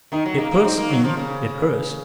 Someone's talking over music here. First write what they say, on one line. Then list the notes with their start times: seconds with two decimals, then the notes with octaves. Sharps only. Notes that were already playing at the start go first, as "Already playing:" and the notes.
It hurts me, it hurts.
0.12 D#3 D#4
0.26 F#3
0.38 A#3 D#4
0.51 A#3
0.65 C4 D#4
0.78 A#3
0.90 F#3
1.04 F3
1.17 C#3